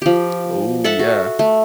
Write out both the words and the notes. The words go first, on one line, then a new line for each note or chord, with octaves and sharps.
Oh, yeah.
F3 G4
A4 E5 F#5 A5
F#4
A3